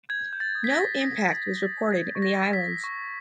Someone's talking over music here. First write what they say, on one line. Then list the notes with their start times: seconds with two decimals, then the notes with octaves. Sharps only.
No impact was reported in the islands.
0.09 G6 G#6
0.33 G6
0.40 A6
0.55 D#6
0.64 B6
0.70 A#6
0.78 G6
1.01 D#6 A#6
1.24 G6
1.32 A6
1.47 G6
1.62 A6
1.70 G6
1.92 G6 G#6
2.15 C#6
2.22 A#6
2.38 E6
2.53 B6
2.62 C#6
2.84 C#6